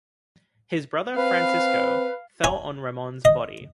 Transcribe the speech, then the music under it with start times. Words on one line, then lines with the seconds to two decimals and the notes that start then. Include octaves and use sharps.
His brother Francisco fell on Ramon's body.
1.16 C4 B4 F5
2.44 C#5 G#5
3.25 D#5